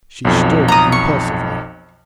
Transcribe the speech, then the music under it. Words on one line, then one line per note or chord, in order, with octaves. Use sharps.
She stirred impulsively.
B1 F2
A#5 D#6
C#6